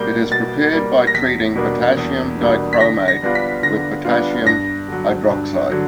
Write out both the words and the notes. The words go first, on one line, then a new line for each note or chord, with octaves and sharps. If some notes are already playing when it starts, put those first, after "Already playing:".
It is prepared by treating potassium dichromate with potassium hydroxide.
Already playing: B2 G3 A#3 G6
B2 A6
G3 A#3
A#6
E2 B6
B2 G3 A#3 D4
E2
B2 G3 A#3 D4
B6
D3 A#6
A#6
G3 B3 D4 F4
B6
D3 A#6
G3 B3 D4 F4
G2 A#6
D3 F#3
G2
D3 F#3